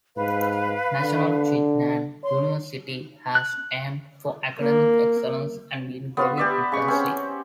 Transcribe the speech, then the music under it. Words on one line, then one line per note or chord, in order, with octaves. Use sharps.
National Chi Nan University has aimed for academic excellence and been growing intensely.
G#2 B4 F5
D3
C#5 C6
F#6
A#3
B3 F4 F#4
G4 D5 E5
C#3 C#6
C4 C#4